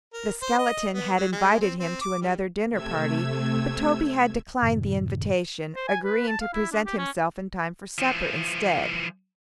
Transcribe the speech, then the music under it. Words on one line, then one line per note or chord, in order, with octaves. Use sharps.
The skeleton had invited him to another dinner-party; but Toby had declined the invitation, agreeing to present himself in time for supper instead.
A#4
C5
D#5
B3
F#3
G#3
C4
C4
D6
G3
C3 A3 E6 G#6
F#2 A2 C3 D#3
C5
G#5
B4
A5
F5
E4
D4
G4
C#4
E3 F3